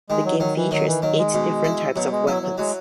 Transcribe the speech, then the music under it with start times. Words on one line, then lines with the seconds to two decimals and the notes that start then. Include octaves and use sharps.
The game features eight different types of weapons.
0.10 D#3 G#3
0.25 F#3
0.40 D#3 F#3
0.56 E3
0.71 D#3 F#3
0.87 E3
1.02 D#3 F#3
1.18 G#3
1.34 B2
1.64 E4
1.95 B2 F#3
2.11 G#3
2.27 F#3 E4
2.42 F#3
2.58 F#3 G#3